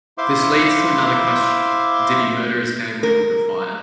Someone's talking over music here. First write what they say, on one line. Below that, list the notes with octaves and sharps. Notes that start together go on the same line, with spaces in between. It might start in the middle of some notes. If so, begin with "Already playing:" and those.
This leads to another question: did he murder his family with the fire?
E4 C5 E5 F5 C6 D6
A#4